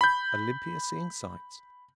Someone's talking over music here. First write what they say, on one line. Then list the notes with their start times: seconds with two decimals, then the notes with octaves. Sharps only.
Olympia seeing sights?
0.01 B5 G6